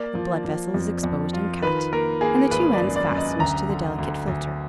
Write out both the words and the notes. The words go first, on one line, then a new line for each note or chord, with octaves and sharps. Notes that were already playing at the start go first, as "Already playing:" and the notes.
A blood vessel is exposed and cut, and the two ends fastened to the delicate filter.
Already playing: A#3 D5
F3
F3
F2
F2
F4
D#3 B4
A#3 A#4
A#3 G#4
G#1 B4
D5
F#2
D5
F#2
D#5
D2 A#5
D3
D2
D2